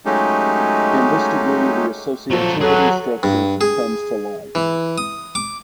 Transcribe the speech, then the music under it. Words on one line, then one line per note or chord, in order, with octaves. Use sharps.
In this degree the associativity structure comes to light.
F#3 G#3 A3 C#4 D#4 G4
F3 F#3 A4
F#3 G#4 A4 B4
G2
G#4
E3
D#6
D6